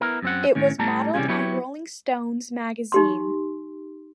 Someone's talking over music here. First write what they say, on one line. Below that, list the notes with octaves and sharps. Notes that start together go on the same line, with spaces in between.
It was modeled on "Rolling Stones" magazine.
B3 E4 A#4
F#2 C4 F#5
A2 D#3 C#4
A2 G3 A3 A5 A#5
C3 E3 G3 A3 C#4 G#4
F#3 B3 E4 G4 C#5
D#4 G4 C6